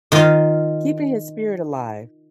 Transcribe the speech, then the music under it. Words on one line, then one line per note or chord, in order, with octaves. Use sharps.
Keeping his spirit alive.
D#3 F4